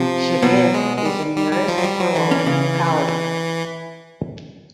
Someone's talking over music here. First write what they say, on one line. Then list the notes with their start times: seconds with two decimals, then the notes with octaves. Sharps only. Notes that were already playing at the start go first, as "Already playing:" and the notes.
Shidib is the nearest rural locality.
Already playing: C3 F3 C4
0.42 B2 F#3 B3
0.74 G#3
0.97 G#3
1.05 G3
1.37 G3
1.53 G3
1.68 F3
1.78 F#3
1.84 G3
2.00 F#3
2.15 E3
2.31 C#4
2.39 D4
2.46 C#3 C#4